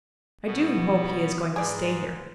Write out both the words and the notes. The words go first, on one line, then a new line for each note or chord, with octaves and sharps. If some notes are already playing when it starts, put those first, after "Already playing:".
I do hope he is going to stay here.
B2 B3
F3 F#3
G#2 G#4 B4 D5 G#5